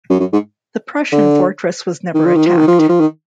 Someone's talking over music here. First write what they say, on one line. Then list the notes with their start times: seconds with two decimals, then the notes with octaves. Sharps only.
The Prussian fortress was never attacked.
0.10 F#2
0.20 F#2
0.33 G#2
1.12 D3
2.15 D#3
2.26 F3
2.36 D#3
2.47 F3
2.58 D#3
2.67 F3
2.79 D#3
2.89 F3
3.00 D#3